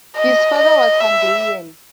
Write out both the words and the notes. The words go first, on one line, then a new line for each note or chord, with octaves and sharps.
His father was Hungarian.
D#5
D#5
E5